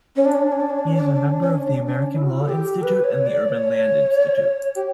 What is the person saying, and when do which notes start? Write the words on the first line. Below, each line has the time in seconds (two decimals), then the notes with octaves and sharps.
He is a member of the American Law Institute and the Urban Land Institute.
0.16 C#4
0.25 D4
0.34 C#4
0.43 D4
0.52 C#4
0.60 D4
0.70 C#4
0.79 D4
0.87 C#4
0.96 D4
1.06 C#4
1.15 D4
1.23 C#4
1.32 D4
1.41 C#4
1.50 D4
1.59 C#4
1.68 D4
1.77 C#4
1.86 D4
1.95 C#4
2.15 E4
2.23 F#4
2.30 E4
2.40 A4
2.49 G4
2.82 B4
3.04 C#5
3.26 D5
3.49 C#5
4.75 G4